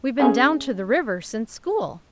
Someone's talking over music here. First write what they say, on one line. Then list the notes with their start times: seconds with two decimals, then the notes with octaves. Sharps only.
"We've been down to the river since school."
0.20 A3 C#4 G#4